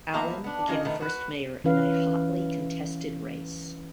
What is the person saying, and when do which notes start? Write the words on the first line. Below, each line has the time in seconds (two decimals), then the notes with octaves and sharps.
Allen became the first mayor in a hotly contested race.
0.14 F3 A#3 B3 D#5 E5 A#5
0.44 B3 D4
0.68 D#3 C#4 D#4 F4 D#5
0.85 B2 D#3 A3 B3
1.01 F#4 B4
1.64 E3 C#4 B4 F5